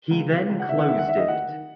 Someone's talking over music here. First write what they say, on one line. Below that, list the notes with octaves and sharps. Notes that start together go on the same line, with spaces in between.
He then closed it.
C#2
C3 E3
C#2
F#5
C3 E3 E5
F#5
D#2 E5
F#5
D#3 E5
D#5
D#2 F#5
D#3